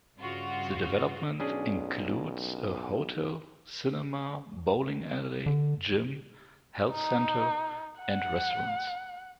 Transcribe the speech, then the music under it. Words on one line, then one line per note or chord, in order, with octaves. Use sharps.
The development includes a hotel, cinema, bowling alley, gym, health centre and restaurants.
G2 C#3 F4 F#4
B1 C#4 D4 G#4
D3
D#4
F#5